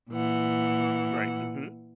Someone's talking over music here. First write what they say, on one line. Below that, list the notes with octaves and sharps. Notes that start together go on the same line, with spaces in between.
Right, mhm.
A#2 E3 F#5